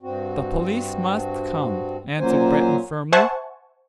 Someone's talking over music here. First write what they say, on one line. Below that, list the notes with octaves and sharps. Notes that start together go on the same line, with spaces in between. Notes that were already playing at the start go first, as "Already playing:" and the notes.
"The police must come," answered Breton firmly.
G2 C4 F#4
A#2 F#3 A#3 C#4 C5 G#5
C5 E5 F#5 G#5 A5 C#6